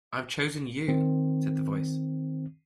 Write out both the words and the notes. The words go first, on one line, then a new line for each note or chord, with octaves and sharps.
"I've chosen you," said the Voice.
D#3 C4